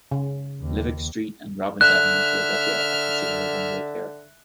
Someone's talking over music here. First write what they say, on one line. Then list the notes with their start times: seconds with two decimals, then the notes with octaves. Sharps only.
Levick Street and Robbins Avenue in Philadelphia are considered a one-way pair.
0.11 C#3
0.61 D#2
1.81 D3 E5 F6 F#6